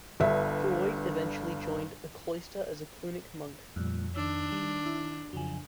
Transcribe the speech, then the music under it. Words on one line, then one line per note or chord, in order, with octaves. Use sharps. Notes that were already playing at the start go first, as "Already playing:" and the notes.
Guiot eventually joined a cloister as a Cluniac monk.
G1 G2 E5
F2 A#2 G3 A3
D#3 D4 D#4 E6
G3
E4
F2 C#3 F3 F#3 G#5